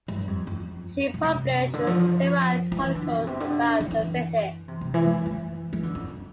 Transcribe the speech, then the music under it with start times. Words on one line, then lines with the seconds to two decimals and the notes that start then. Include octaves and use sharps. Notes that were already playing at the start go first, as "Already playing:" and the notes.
She published several articles about her visits.
0.08 G2
0.28 F2
0.47 F2
1.14 B2
1.23 C3
1.61 B2
1.74 D3
1.87 F3
2.72 F3
2.76 E3
2.95 D3
3.14 B2
3.27 C3
3.40 D3
3.80 D3
3.91 E3
4.68 C3
4.81 C3
4.94 E3
5.06 E3
5.26 E3
5.73 E3
5.83 D3
5.95 F2